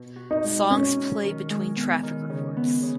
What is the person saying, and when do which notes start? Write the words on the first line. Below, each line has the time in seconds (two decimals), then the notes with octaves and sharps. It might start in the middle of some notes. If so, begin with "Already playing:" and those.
Songs play between traffic reports.
Already playing: B2
0.16 F#4
0.31 D#4
0.44 G#3
0.70 C#4 D#4
0.97 D#4
1.24 D#3
1.50 G#3
1.76 B3
2.03 D#3
2.30 C#3
2.57 B3
2.83 C#3